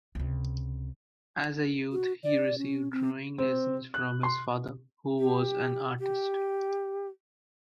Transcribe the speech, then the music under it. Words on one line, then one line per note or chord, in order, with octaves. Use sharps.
As a youth, he received drawing lessons from his father, who was an artist.
C#2 C3
F#4
D5
C#4
C4
C4
F#6
C6
G4
G4